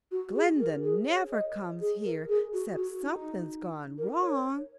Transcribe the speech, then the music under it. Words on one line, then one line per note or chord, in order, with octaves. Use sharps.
"Glinda never comes here 'cept something's gone wrong."
F#4
G#4
A#4
G#4
C#5
D#5
G#4
A#4
G#4
F#4
F#4
D#4
A#4
C#5